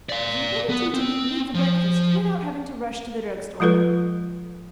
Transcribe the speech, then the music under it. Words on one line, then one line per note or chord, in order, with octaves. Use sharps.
The ability to eat meat for breakfast without having to rush to the drugstore.
D5 F5
B3
C4
F3
F3 G#3 F4 A4 B4